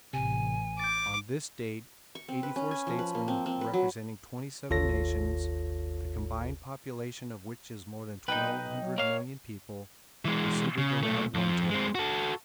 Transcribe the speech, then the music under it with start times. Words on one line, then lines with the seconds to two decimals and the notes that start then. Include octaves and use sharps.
On this date eighty-four statesmen representing twenty-seven nations, the combined population of which is more than twelve hundred million people, were seated around one table.
0.13 A1 C3 G#5
0.79 D6 G6 A6
2.15 C#6
2.28 C4
2.43 B4
2.56 C#4
2.71 G#5
2.87 F3
2.99 B4
3.15 A#3
3.28 C4
3.46 C4
3.61 B4
3.73 F#3
4.70 G#1 D#2 F4 A4 C#5 A#6
8.28 B1 D#4 B4 D#5 G5
8.81 F#3
8.98 A#3 C#5 F5
10.25 E3 G#3
10.78 C#3
11.03 B1 A3
11.34 F2 F3
11.69 G#3 C4
11.95 F#4 A4